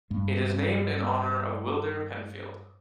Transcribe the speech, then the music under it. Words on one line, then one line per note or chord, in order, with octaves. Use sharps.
It is named in honour of Wilder Penfield.
G2 G#3